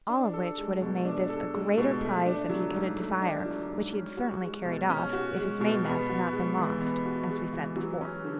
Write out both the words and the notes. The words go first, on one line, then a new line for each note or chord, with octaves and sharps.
All of which would have made this a greater prize than he could desire, which he had certainly carried off, if his main-mast had not been lost, as we said before.
D4
A4
G#3
B2
D4
A4
G#3
B2
A3
D4
F#3
G#2
A3
D4
F#3
G#2
C#4
F#4
G#3
B2
C#4
F#4
G#3
B2
B3
F#4
G#3
E3
B3
F#4
G#3
E3
F#3
C#4
D3